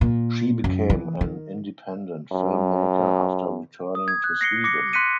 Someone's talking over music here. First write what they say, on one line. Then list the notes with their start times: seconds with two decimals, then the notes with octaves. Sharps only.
She became an independent filmmaker after returning to Sweden.
0.01 A#2
0.64 F#2
0.90 E3
1.21 D#3
2.31 F#2
3.95 D#6
4.08 G#6
4.24 F#6
4.41 A#6 C7 C#7 G7
4.64 D6 A#6 C#7
4.93 C6 F#6 B6 C#7 D#7